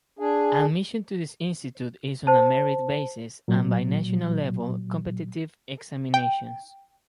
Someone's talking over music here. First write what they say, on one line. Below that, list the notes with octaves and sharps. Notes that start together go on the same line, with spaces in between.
Admission to this institute is on a merit basis and by national-level competitive examinations.
D4 G#4
C5 A5
A#2 F#3
G5